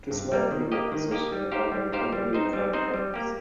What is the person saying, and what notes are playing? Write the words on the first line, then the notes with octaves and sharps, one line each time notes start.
This left them in the position of having a company without a purpose.
G2
G3 A#3
D#3
A#3 G4 D#5
D#3
A#3 G4 D#5
G3
D#4 G4 C5 F5
G3
D#4 G4 C5 F5
G3
C4 D#4 C5 D#5
G3
C4 D#4 C5 D#5
G3
A#3 G4